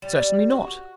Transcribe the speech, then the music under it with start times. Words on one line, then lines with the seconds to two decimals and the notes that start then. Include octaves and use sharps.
"Certainly not!"
0.02 G3
0.50 F#4